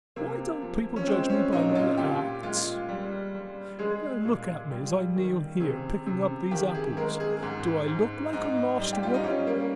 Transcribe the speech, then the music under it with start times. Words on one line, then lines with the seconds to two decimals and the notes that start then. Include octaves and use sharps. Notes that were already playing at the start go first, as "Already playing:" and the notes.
Why don't people judge me by my acts? Now, look at me as I kneel here, picking up these apples--do I look like a lost woman?...
0.16 C3 A#3
0.62 F3
0.96 C#4
1.07 G#3 C4
1.29 C#4
1.53 A#2 D#4
1.75 F4
1.97 A#2 G4
2.43 G#3 F4
2.89 G3
3.34 G3
3.79 G#3 G#4
4.25 A#2
4.70 G3
5.16 D#3
5.60 C3 G#4
6.06 C3
6.51 D#3 G4
6.74 G#4
6.97 G#3 A#4
7.20 G#4
7.42 G#2
7.88 G#2
8.33 G#2 D#4
8.79 G3
8.93 G4
9.03 F4
9.14 D#4
9.23 G3 C#4
9.47 A#3